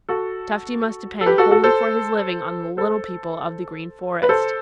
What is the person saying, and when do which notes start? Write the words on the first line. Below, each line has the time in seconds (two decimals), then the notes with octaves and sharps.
Tufty must depend wholly for his living on the little people of the Green Forest.
0.08 F#4 A4
1.21 A4
1.26 G4 B4
1.38 F#4 A4
1.51 F#4 A4
1.64 A4 C5
2.77 A4 C5
4.22 B4
4.29 A4 C5